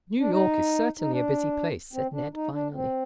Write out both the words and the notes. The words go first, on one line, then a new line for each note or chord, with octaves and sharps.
"New York is certainly a busy place," said Ned, finally.
D4
D#4
D#4
D4
C4
D4
D#4
D4
C4